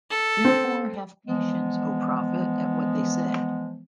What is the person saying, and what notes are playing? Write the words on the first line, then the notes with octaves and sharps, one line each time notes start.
Therefore, have patience, O Prophet, at what they say.
A4
C4
E3 F3 G#3 B3